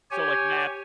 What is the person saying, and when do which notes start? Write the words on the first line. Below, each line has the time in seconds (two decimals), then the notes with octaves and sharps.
So, like, map
0.11 G4 C#5 G#5